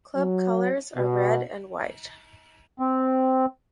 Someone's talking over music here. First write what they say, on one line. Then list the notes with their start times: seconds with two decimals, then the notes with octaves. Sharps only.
Club colors are red and white.
0.16 F#3
0.97 B2
2.80 C4